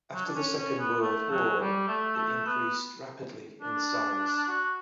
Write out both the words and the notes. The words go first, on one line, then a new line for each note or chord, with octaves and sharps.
After the Second World War, it increased rapidly in size.
F#3
D4
C#4
C#4
B3
A3
F#3
G3
A3
A3
B3
D4
F#4